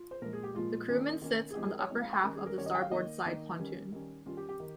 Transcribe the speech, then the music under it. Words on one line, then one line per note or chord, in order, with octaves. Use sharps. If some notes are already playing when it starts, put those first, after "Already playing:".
The Crewman sits on the upper half of the starboard side pontoon.
Already playing: F4
C5
A#2 F3 G#3 A#4
G#4
G4
A#2 F3 G#3 F4
D#3 A#3 C#4
D#3 A#3 C#4
G#4
F3 G#3 C4 D#4 G4
G#4
A#4
C#5
F3 G#3 C4 D#4
F5
G5
D#3 G3 C#4 A#4
G#4
A#4
D#3 G3 C#4 C#5
D#5
G5
F5
D#3 A#3 D#4 D#5
D#3 A#3 D#4
D#3 G3 C#4
D#3 G3 C#4
D#3 G3 C#4 F4
G4
G4
D#3